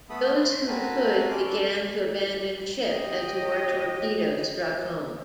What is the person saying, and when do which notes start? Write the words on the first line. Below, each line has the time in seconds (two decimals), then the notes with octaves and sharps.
Those who could began to abandon ship as more torpedoes struck home.
0.10 A3 B3 A4 B5 D#6
0.36 C6
0.68 C4 F#4 A#4 G#5 A5 B5
1.29 C#4 C6 D6
1.45 D4 A4
2.86 G4 D#5